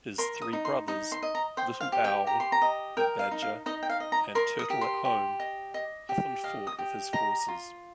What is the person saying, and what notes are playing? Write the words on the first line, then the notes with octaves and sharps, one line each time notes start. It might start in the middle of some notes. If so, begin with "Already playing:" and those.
His three brothers, Little Owl, the Badger, and Turtle-at-Home, often fought with his forces.
A#4 C6
D#6
D#4
C6
D#4 D#6
C6
D#5
A#5
C5 G5
F5
G4
G5
G4 A#5
C6
A#5
D#5
A#4 G5
F5
D#4
F5
D#4 D#5
G5
F5
D#5
A#5
A#4 C6
D#6
G4
C6
G4
D#5
D#5
G4
D#5 F5
D#6
G4
D#5 A#5
F4